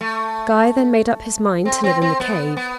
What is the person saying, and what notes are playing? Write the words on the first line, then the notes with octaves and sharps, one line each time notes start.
Guy then made up his mind to live in the cave.
A3
C4
C4
C4
B3
B3